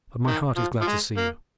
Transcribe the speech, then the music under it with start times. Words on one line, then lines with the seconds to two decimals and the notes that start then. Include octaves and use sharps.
But my heart is glad to see you.
0.27 D#3
0.56 F3
0.81 F3
0.87 G#3
1.17 A#3